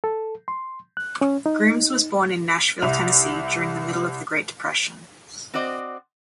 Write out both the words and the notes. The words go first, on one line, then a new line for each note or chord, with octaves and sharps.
Grooms was born in Nashville, Tennessee during the middle of the Great Depression.
A4
C6
F#6
C#4
D#4
C2 E5 F7
C4 F#4 C5 D5 D#5